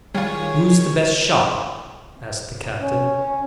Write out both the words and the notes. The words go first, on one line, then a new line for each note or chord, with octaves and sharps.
"Who's the best shot?" asked the captain.
D#3 G3 F4 G#4 C#5
C#4